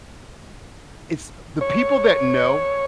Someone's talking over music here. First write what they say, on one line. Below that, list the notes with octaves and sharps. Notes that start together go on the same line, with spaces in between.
it's the people that know,
C#5